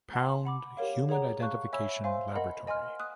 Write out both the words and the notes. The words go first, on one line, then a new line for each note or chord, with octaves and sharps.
Pound Human Identification Laboratory.
F#5 A5 C6
F#5 B5 D6
G4 A#4 C#5 F5
G#4 C#5 F#5 A#5
F5 A5 C#6 F#6
C#5 E5 G#5 B5 E6
C5 F5 G#5 C6
A#4 D#5 F#5 B5
D#5 G#5 C6 F6
D#6 F#6